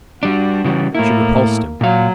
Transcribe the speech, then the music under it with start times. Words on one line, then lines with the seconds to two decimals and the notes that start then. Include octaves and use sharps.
She repulsed him.
0.23 G3 D4 F#4
0.64 C#3 E3 G3
0.95 A2 A#3 E4
1.81 A#2 F#3 F5